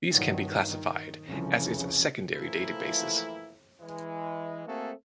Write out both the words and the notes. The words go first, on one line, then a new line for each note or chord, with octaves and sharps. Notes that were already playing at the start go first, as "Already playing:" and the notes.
These can be classified as its secondary databases.
G2 A#2 D#3 F#3
D#3
C2 F2 C#3 E3 F3
E3 F3 A3 A#3 E4
E3 G#3
A3 A#3 C4 F#4 G#4 A4